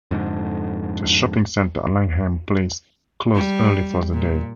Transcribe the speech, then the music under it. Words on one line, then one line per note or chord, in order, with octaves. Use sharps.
The shopping centre at Langham Place closed early for the day.
F2 G#2 D3
G3
A#2